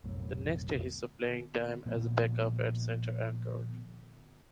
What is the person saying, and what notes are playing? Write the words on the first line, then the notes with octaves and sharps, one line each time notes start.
The next year, he saw playing time as a backup at center and guard.
F1 B1 F#2 A2
A#2 F3 B3